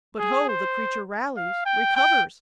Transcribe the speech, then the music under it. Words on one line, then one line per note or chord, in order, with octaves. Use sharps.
But ho! the creature rallies--recovers!
G#4
C5
F5
G5
G5